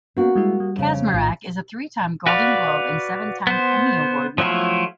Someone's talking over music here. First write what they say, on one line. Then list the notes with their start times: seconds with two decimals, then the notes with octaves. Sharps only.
Kaczmarek is a three-time Golden Globe and seven-time Emmy Award nominee.
0.17 A#3 B3 C#4 F#4
0.36 G3 G#3 E4
0.60 G3
0.76 F2 C#3
1.14 A#1 A2 F4
2.27 F#4 B4 D5 F5
3.47 B3 C5
4.38 F3 F#3 A3 E4 F4